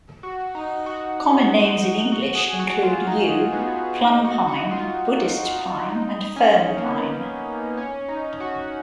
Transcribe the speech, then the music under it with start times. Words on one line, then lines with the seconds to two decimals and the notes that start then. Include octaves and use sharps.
Common names in English include yew plum pine, Buddhist pine and fern pine.
0.23 F#4
0.55 D#4
0.86 F#4
2.12 F#4
2.35 G#4
2.59 F#4
2.83 F4
3.07 D#4
3.53 B3
4.01 D#4
4.24 F#4
4.48 F#4
4.71 F4
5.88 D#4
6.36 C#4
6.77 A#3
6.83 B3
7.77 C#4
8.08 D#4
8.40 F#4